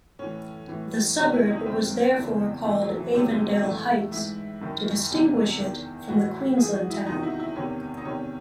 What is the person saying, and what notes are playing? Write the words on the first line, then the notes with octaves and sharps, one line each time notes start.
The suburb was therefore called Avondale Heights to distinguish it from the Queensland town.
A2 E3 C#4
A2 E3
E2 C3 D#3 C#4
E4
D#4
F#2 D#3 C4
E2 C#3 E3
A2 E3 A3
F#3
E3
E2 C3 D#3 F#3
G#3
F#3
A2 E3 A3
G#2 E3 E4
F#2 D#3
E2 C3 E3
E2 D#3
A2 E3 F#4
G#2 E3 G#4
F#4
E4
E2 C3 D#3 D#4
F#4
E4
E4
E2 C3 D#3 C#4
D#4
E2 C3 D#3 C#4